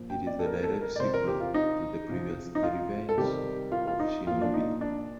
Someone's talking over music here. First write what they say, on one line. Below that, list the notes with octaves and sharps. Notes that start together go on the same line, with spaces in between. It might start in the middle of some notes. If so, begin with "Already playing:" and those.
It is the direct sequel to the previous "The Revenge of Shinobi".
Already playing: A#2 F3
G5
D5
A4
A#4
A4
A#4
D5
C3 F3 C5
A#4
G4
F4
D#4
C3 F3
D#4
F4
A4
C3 D#3 G3 G4
F4
F4
D#4
A#2 F3 F4
D4
D#4
D4